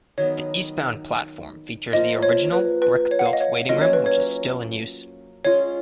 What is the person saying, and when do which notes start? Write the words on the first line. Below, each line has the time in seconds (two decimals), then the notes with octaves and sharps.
The eastbound platform features the original brick-built waiting room which is still in use.
0.18 D#3 F#3 B3 C#5
1.93 F3 A#3 F4 D#5
2.22 C#5
2.52 B4
2.82 B4
3.11 C#5
3.19 F#5
3.26 F5
3.33 D#5
3.41 C#5
3.69 F#3 A#3 C#4 F4 D#5
3.82 C#5
3.93 B4
4.06 C#5
5.45 G#3 C#4 F4 C#5